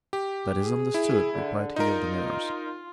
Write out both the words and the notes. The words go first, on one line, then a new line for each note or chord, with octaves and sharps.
"That is understood," replied he of the Mirrors.
G4
G#4
E4
D3
D#4 F4 A#4